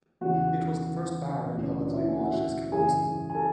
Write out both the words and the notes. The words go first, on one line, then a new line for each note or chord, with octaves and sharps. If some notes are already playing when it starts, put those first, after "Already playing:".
It was the first Baron who publicly acknowledged his Catholicism.
E2 C#3 E3 F#4 F#5
D2 C#3 E3 B3 B4
C#4 C#5
D4 D5
E4 E5
G#5
F#5
E5
F#4 F#5
F#2 C#3 E3 G#4 G#5
G#5
A4 A5